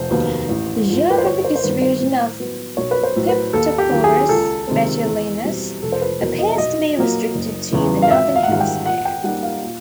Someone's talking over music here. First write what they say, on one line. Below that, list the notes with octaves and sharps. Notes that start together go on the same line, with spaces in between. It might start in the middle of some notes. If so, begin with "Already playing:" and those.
The geographic distribution of "Piptoporus betulinus" appears to be restricted to the Northern Hemisphere.
Already playing: F1 C5
D#2 D#3 F#3 B3
A1
G#2 F3
B4
C5
G1 C#5
C#5
C5
C5
G2 D#3 B4
C5
A2
F#3 B3
B1 C#5
B4
C5
A2 F#3
B4
D#2 A4
G4
D#3 F#3
G#4
C#2 A4
C3 D#3 G#3 C4
E2
B2 G3 C4
F1 A4
C5
B4
E2 B2 F#3 A#4
D#5
E5
B1 D#5
A#2 F#3 A#3
F#1
E2 C#3 E3
F5
G#1 E5
F5
F#5
G#2 D#3 G3 F5
G5
A#2 F#5
F#5
G5
G3 A#3 D#4 F#5
F5
A#2